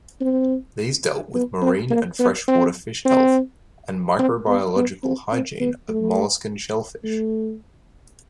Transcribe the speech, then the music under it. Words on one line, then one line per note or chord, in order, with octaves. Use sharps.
These dealt with marine and freshwater fish health, and microbiological hygiene of molluscan shellfish.
C4
B3
C4
A#3
B3
C4
C4
C4
B3
B3
C4
C4
B3
A3
A3